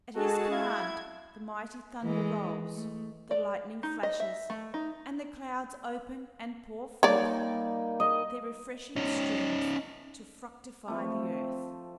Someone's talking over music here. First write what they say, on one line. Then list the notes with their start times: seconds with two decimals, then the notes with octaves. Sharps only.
At his command the mighty thunder rolls, the lightning flashes, and the clouds open and pour forth their refreshing streams to fructify the earth.
0.15 G#3 F#4 G#4 A4 A5
0.51 E4 F5 G#6
2.02 E3 G#3
2.76 A3
3.31 D5
3.83 D#4
4.03 D#5
4.20 E5
4.50 A3
4.74 D#4
7.03 G3 A#3 D#4 C#5 D5
8.00 D#5
8.96 C#4 D#4
10.88 F3 A3 C4